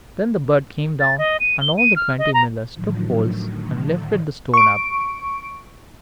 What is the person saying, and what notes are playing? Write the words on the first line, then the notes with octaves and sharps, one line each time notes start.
Then the bird came down, and all the twenty millers took poles, and lifted the stone up.
A6
D#5
D#7
G7
D#7
F6
D#5
A#5
A2 D3 D#3 F3 F#3
C#6 D7